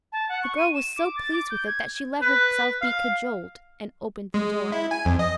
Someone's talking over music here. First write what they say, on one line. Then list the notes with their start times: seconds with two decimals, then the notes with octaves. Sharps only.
The girl was so pleased with it that she let herself be cajoled, and opened the door.
0.12 A5
0.29 F#5
0.43 C#6
0.58 D#7
0.74 E7
0.98 D6
1.17 A6
1.33 D6
1.50 G6
1.66 G#6
2.21 B4
2.82 F5
4.34 G#3
4.72 E4
4.91 G#5
5.05 F2
5.19 D#5